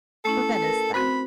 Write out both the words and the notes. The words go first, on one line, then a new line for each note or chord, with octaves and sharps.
'For Venice, then.
A3 C#4 E4 A4
A#4 B4
C4 F#4 C5 B5